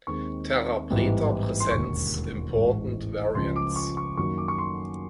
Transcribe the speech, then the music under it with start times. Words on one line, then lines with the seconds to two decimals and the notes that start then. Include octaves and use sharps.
Terra preta presents important variants.
0.07 D#2 D#3 G#3 C4 C#6
0.90 A1 G#2 E3 G3 B3
1.60 C6
1.71 E1 D#2 D3 C#6
2.54 A1 G#2 E3 G#3
3.35 C#2 C#3 F3 C6
3.56 D6
3.76 C#6
3.97 C#6
4.17 F#2 D#3 F#3 A#3 C#6
4.38 D6
4.48 C#6
4.58 C6